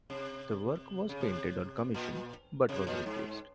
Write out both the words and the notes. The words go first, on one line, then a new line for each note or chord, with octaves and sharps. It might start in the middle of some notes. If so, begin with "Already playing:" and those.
The work was painted on commission, but was refused.
C3
C#3
C3
A#2
C3
A#2
G#2